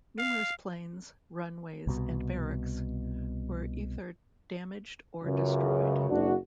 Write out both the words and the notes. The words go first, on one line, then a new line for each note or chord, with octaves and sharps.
Numerous planes, runways and barracks were ether damaged or destroyed.
F5
C2 B2
C#2 F#2 C#3
F#1 D4 F#4